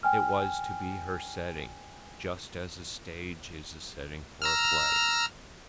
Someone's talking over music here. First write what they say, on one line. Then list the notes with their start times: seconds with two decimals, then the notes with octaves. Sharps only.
It was to be her setting, just as a stage is the setting for a play.
0.03 G5 G#5 F6
4.42 A#5 E6 F6